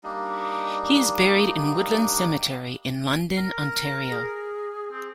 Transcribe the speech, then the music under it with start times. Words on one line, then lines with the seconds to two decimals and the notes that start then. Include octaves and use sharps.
He is buried in Woodland Cemetery in London, Ontario.
0.04 G3 A#3 D4 D#4
3.38 A#4
4.10 G#4
4.92 C4